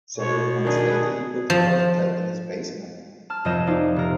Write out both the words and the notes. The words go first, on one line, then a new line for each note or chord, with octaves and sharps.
Several months later he built a prototype in his basement.
B2 C#5
D#3 F#3 D4 G#4
F3
A5 F6
F1 F2 F3 D#5 G6 E7
C4 D#4 F4 D5
C3 A#4